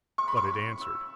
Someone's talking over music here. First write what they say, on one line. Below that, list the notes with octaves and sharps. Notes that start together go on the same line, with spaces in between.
But it answered.
C#6
B5
C#6
E6